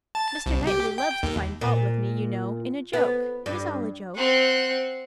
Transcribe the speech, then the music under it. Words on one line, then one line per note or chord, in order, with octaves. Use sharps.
Mr. Knightley loves to find fault with me, you know--in a joke--it is all a joke.
A5
C2
G4
G5
D#2
A#2
B3
G2
C4 F#5